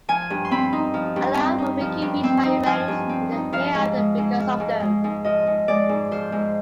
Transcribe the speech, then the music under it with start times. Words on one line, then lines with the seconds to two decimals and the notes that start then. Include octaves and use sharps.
Allah will make you reach higher ranks in the Hereafter because of them.
0.08 F3 G#5
0.30 G2
0.45 C6
0.51 C4 B5
0.73 D#4
0.94 F3
1.16 G2
1.38 C4
1.58 D#4
1.81 F3
2.02 G2
2.23 C4
2.45 D#4
2.66 F3 G#5
2.88 G2
3.09 C4
3.32 D#4
3.53 F3 F5
3.75 G#2
3.96 G#3
4.18 G#2
4.39 F3
4.60 G#2
4.82 G#3
5.04 G#2
5.24 F3 D#5
5.47 G#2
5.68 G#3 D5
5.89 G#2
6.11 F3 C5
6.32 G#2